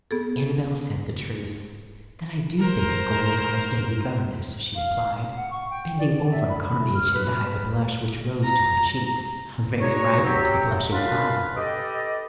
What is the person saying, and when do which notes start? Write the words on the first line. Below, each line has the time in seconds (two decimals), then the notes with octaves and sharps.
"Annabel said the truth--that I do think of going out as daily governess," she replied, bending over a carnation to hide the blush which rose to her cheeks, a very rival to the blushing flower.
0.11 B3 G#4 A4
2.59 A#4 C5
4.75 F5
5.14 F5
5.35 F#5
5.51 C#6
5.70 G5
5.98 D5
6.31 E5
6.49 B5
6.95 F6
7.14 B4
8.44 A#5
9.80 D4 D#4 F#4 C#5
10.24 F#3 C4 G4
10.91 F#2 D4 F4 B4 F5
11.56 G4 A4 B4 D5 D#5